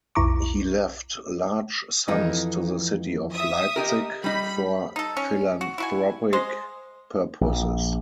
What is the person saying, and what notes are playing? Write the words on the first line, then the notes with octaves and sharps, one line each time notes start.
He left large sums to the city of Leipzig for philanthropic purposes.
B1 F2 E4 A#5 C#6 D6
F2 E3 D#4
E5 D#6
D#4 G4 A#4
G3 D#4 B5
D#4 A4
C#4
F#4
E4 F#4 G#5
G#3 C5 D#5
A#1